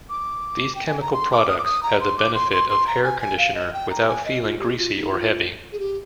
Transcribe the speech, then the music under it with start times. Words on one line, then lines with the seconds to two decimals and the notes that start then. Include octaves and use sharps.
These chemical products have the benefits of hair conditioner without feeling greasy or heavy.
0.09 D6
0.75 G5
0.87 G#5
1.01 A#5
1.13 C6
1.31 D6
1.49 D#6
1.58 D6
1.65 D#6
1.83 A#5
2.00 C6
2.18 D6
2.34 C6
2.52 C6
2.70 C6
2.87 A#5
3.04 G#5
3.21 G#5
3.38 F5
3.55 D#5
3.74 G5
3.90 A#5
4.07 G#5
4.25 D#5
4.42 F4
4.59 G4
4.77 F4
4.94 D#4
5.11 F4
5.72 G#4
5.80 G4